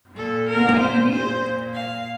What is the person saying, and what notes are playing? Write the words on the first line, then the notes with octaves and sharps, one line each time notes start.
Who am I kidding?
A#2 A4
A#4
C5
A#2 C5
F5